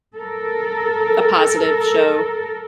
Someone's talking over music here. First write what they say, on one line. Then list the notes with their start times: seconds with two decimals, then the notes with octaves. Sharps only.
a positive show.
0.18 A4 A#4